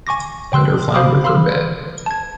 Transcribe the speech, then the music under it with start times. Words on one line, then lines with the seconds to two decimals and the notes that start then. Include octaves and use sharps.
Let her flounder for a bit.
0.07 G#5 C#6 D6 A#6
0.52 C#5 G5 C6 E6 F#6
0.94 F#4 C5 F5 B5 D6 D#6
1.24 F5 B5 C6 E6 F6
2.06 A5 G#6